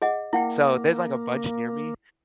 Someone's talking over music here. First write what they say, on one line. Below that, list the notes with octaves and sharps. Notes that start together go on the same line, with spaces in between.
so, there's, like, a bunch near me,
G#4 D#5 F#5
A#3 E4 F#5 G5